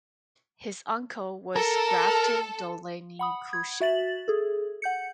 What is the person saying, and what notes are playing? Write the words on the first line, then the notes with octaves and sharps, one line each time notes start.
His uncle was Grafton Dulaney Cushing.
A4 A#4
F#5 B5 D#6
G#6
F#4 E5 A6 F#7
G#4 A4
F#5 G6 C#7